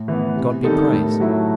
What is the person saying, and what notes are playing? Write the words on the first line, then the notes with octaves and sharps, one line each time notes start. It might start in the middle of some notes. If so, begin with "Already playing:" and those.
God be praised!
Already playing: A2
E3 B3
C3
D#3 G3 D#4 A4
A2
F#3 A3 E4